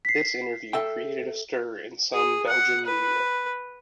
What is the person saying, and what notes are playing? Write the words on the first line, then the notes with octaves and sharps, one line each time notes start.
This interview created a stir in some Belgian media.
B6 C7
A4 E5 G5
G#4
F#5
B4